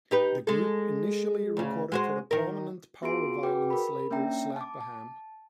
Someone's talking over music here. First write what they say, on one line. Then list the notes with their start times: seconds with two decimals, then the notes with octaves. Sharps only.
The group initially recorded for the prominent powerviolence label Slap-a-Ham.
0.11 D#4 G4 B4
0.47 G#3 A4
1.57 D2 C#3
1.92 G#3 F#4 C5
2.31 D#3 A#4
3.03 B3 F4 F#4 G#4 C6 D7
3.43 F#4 G#4 B4 G5 D6
3.70 A#4 B5
4.11 A#3 C#4 D4 E5 G5 A#5
4.56 A5 D6
4.81 A5